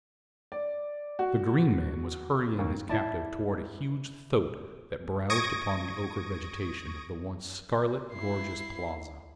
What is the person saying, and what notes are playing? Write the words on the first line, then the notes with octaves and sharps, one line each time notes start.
The green man was hurrying his captive toward a huge thoat that browsed upon the ochre vegetation of the once scarlet-gorgeous plaza.
D5
F#4
D#2
E4 D5 A5
C#6 D#6 G#6 A#6 D7
E4 C7